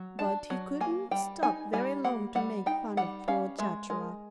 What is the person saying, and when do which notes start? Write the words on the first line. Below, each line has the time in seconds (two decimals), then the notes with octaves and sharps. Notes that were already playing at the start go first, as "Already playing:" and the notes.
But he couldn't stop very long to make fun of poor Chatterer.
Already playing: F#3
0.19 D4 A5
0.50 F#3
0.81 A#3 G#5
1.11 G3 G5
1.43 D#4 G#5
1.73 G3 G#5
2.04 A#3 F#5
2.35 G3 F#5
2.66 D#4 G5
2.97 G3 F#5
3.28 C#4 F5
3.59 G#3 E5
3.90 G#3 A#4